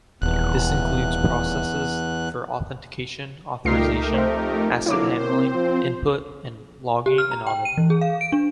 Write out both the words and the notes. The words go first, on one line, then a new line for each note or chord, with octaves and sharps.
This includes processes for authentication, authorization, asset handling, input, and logging and auditing.
D#1 E2 F#6
C#2 G3 A3 D#4 F4 G4 A#4 C7
F2 C5 E5
D3 F#3 A#3 E4 C#5 D6
C4 A#4 C5
F3
G4
F6
A#5
G5
D#7
E3
G#4
F5
D7
D4